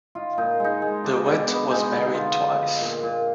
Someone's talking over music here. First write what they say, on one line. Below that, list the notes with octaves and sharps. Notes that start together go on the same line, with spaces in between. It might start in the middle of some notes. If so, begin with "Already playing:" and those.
De Wet was married twice.
D#4 F4
A#2 D#4
G#3 D#4
G#3
D4
B2
B3
G#3 D#4
D3
D#4
D3 F4
D#4
F3
A#2
A#2